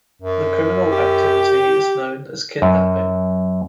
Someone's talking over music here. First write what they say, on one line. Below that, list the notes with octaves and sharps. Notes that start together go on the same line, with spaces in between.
The criminal activity is known as kidnapping.
F#2
G4
F#2